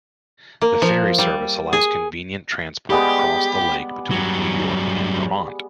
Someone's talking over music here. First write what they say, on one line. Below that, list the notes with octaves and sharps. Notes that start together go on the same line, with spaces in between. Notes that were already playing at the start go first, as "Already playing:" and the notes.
The ferry service allows convenient transport across the lake between New York and Vermont.
A#3
F3
G3
G#4
G3 G#3 B3 G4
G2 F#3